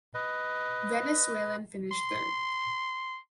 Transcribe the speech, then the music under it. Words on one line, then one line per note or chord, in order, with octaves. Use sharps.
Venezuelan finished third.
B4 D#5
C6